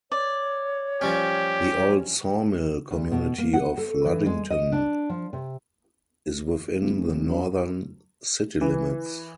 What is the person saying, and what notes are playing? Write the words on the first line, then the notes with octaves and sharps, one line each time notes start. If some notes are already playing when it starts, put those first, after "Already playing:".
The old Sawmill community of Luddington is within the northern city limits.
C#5 D5
F3 G3 C#4 G4
D2
B2
A#3
F#5
A4
E3
G#3
D#5
D4
F3
C3
D1
F1
F#2
E3